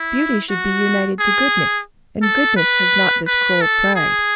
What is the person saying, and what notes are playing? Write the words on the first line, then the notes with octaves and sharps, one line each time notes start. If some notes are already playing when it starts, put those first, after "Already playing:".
Beauty should be united to goodness, and goodness has not this cruel pride.
Already playing: E4
F#4
G#4
A4
B4
B4
A4
G#4